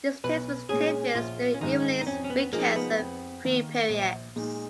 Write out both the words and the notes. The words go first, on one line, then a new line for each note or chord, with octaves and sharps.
These placements take place during evenings, weekends and free periods.
B1 B4
A#2 G#3 C#4 G#4
A#1 F4
C#4
G#2 D#3 D#4
D#4
F2 C#4
C#4
B3
F3 G#3 A#3 D#4 G#4
B3
F2
D#3 A#3
A#1
A#2 G#3 D#4